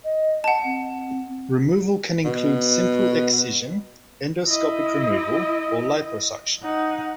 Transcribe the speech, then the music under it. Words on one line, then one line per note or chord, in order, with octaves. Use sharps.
Removal can include simple excision, endoscopic removal, or liposuction.
D#5
F#5 A5
C4
B2
E4 D#5
D#4 F#5